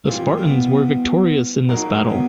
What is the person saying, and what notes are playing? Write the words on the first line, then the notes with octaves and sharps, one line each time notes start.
The Spartans were victorious in this battle.
A#2 E3 G3 C4 F4
A#2
B2
A#2 F#3 A#3 D#4 F#4
B2